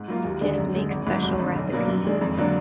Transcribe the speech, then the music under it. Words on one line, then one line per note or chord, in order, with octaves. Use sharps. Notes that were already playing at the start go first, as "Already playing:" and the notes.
just make special recipes,
Already playing: G#2
F#3 A#3 F4
D#2
D3 G#3 D4
F#2
D3 G#3
G#1
G#2 F#3
F1
F2 D3
B1
B2 F#3 A#3 D4
F#2
D#3 G#3 D4
F2
D3 F#3 A#3 D4